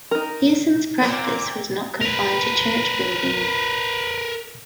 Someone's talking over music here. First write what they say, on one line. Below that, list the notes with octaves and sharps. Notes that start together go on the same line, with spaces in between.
Pearson's practice was not confined to church building.
D#4 A#4
A#2 A#3 C4
A#4 B4